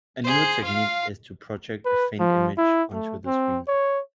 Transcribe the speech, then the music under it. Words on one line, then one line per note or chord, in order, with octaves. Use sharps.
A newer technique is to project a faint image onto the screen.
G#4 C5
F4 F5
B4
F3
E4
A3
C4
C#5